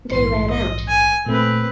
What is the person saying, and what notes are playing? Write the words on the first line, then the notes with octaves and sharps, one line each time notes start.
They "ran" out.
A#1 G#2 E3 C6
D#5
G#5
A#2 A3 C4 B4